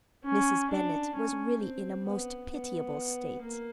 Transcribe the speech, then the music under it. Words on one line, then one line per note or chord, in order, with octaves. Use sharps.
Mrs. Bennet was really in a most pitiable state.
C#4
D4
C#4
C4
B3
B3
A#3